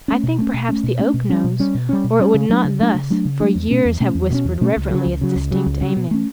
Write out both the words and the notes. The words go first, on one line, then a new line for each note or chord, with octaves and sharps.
I think perhaps the oak knows or it would not thus for years have whispered reverently its distinct Amen!
A3 C#4
B2
A3 C#4
B2
A3 C#4
B2
A3 C#4
B2
G3 C#4
B2
G3 C#4
B2
G3 C#4
B2
G3 C#4
C#3
F#3 A3 D4
C#3
F#3 A3 D4
C#3
F#3 A3 D4
C#3
F#3 A3 D4
E2
B2 A3 C#4
E2
B2 A3 C#4
E2
B2 A3 C#4
E2
B2 A3 C#4
C#2
C#3 F#3
C#2
C#3 F#3
C#2
C#3 F#3
C#2
C#3 F#3
B2
A3 C#4